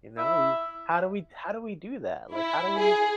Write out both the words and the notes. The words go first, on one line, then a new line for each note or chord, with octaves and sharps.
you know, we How do we How do we do that? Like, how do we
E4
E4
G#4